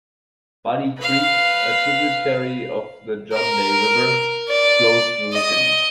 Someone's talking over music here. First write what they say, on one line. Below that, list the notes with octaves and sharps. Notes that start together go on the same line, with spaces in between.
Butte Creek, a tributary of the John Day River, flows through the city.
B4 F5
A#4
D5
D#5